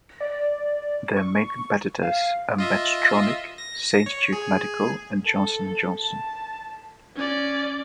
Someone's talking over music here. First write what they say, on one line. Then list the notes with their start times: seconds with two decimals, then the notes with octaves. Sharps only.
Their main competitors are Medtronic, Saint Jude Medical, and Johnson and Johnson.
0.21 D5
1.17 C#6
2.02 F5
2.58 F4 D#5 E5
3.58 A#6
4.06 C#5
4.33 G#4
5.26 A4
5.99 A5
7.16 C#4 D5